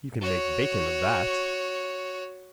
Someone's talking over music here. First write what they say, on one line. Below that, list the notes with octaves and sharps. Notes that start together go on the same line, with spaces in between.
You can make bacon of that.
F#4 C#5